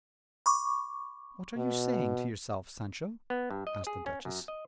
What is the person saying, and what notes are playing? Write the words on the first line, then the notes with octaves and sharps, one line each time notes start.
"What are you saying to yourself, Sancho?" asked the duchess.
B5 C#6 D6
B2
B3
G2
D#5
G#4
C#4
F#2
D#5